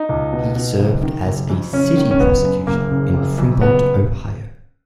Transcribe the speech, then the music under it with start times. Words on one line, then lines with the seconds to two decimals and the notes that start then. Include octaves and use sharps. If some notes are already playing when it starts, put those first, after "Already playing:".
He served as a city prosecutor in Fremont, Ohio.
Already playing: D#4
0.09 C#2
0.33 B2
0.56 B2
0.79 F#1
1.03 D#3
1.25 F#1
1.50 F2
1.72 F#1 C#4
1.97 D#3
2.11 C#4
2.20 F#1 B3
2.44 F#2
2.67 F#1 A#3
2.90 C#3
3.14 F#1
3.38 F2
3.61 F#1 B3